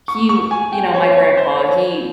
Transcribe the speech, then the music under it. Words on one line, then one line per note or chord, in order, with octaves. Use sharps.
he, w you know, my grandpa, he
C#6
C#6
G#5
G5
C#5
C#5
C5
C#5